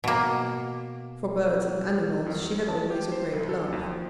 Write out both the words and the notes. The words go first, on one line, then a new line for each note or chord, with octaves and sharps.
For birds and animals she had always a great love.
B2 A#3
F2
A5
G4
C5
C2
A4
D#2
F3